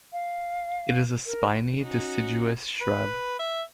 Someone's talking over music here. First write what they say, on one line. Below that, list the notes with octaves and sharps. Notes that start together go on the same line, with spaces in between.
It is a spiny deciduous shrub.
F5
A#4
C#4 D#4 F#4
B4
E5